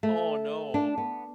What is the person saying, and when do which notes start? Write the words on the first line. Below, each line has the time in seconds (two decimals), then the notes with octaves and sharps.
Oh no.
0.03 A3
0.74 D4
0.98 B3